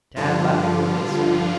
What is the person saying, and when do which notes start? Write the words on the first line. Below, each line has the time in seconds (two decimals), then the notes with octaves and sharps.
Tad laughingly did so.
0.16 G2 D3 F3 F4